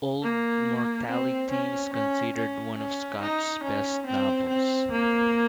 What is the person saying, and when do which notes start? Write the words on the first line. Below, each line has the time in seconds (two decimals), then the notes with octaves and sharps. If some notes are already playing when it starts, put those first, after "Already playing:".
"Old Mortality" is considered one of Scott's best novels.
0.23 A#3
1.08 C4
1.51 C#4
1.94 C#4
2.36 C#4
2.78 C#4
3.21 D#4
3.63 C#4
4.06 C4
4.49 C4
4.92 A#3